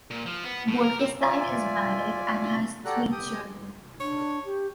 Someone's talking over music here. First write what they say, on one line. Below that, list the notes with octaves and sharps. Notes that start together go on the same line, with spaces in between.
Bolkestein is married and has three children.
A#2
F3
B3
A2
A#4
C4
F4 D5 E5 G#5
F#4 G4 A4 D5 A#5 F#6
G4 G5 D#6
D4 C#5
G4